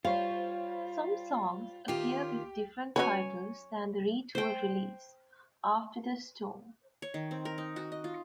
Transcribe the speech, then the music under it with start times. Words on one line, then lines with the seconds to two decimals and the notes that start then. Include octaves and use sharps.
Some songs appear with different titles than the re-tooled release, "After the Storm".
0.05 G3 F4 C5 C#5 F5
1.88 D#3 F4 G4
2.96 F#3 C#4 B4 C#5 G#5
4.35 C5 G5
7.02 C#5
7.14 D#3
7.31 C4
7.45 A#4
7.58 D#4
7.76 F#4
7.92 D#5
8.04 F4